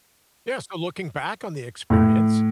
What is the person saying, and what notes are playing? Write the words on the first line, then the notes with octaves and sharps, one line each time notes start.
Yes, so looking back on the experience,
A2